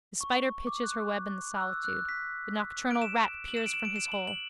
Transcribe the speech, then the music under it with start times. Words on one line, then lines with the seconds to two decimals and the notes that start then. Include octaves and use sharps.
The spider pitches her web in the solitude. The nocturnal rat peers from his hole.
0.21 C#6
0.67 D6
0.84 F#6
1.56 F#6
1.61 E6
1.73 E6
1.84 F#6
2.09 B6
2.91 D7
3.02 E7
3.48 F#7
3.57 E7
3.66 D7
3.74 E7
3.85 D7
3.96 E7
4.12 F#7
4.28 F#7